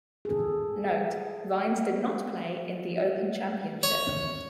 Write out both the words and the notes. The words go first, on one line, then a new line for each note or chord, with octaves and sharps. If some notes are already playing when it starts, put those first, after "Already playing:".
Note: Vines did not play in The Open Championship.
G#4 A4
C#5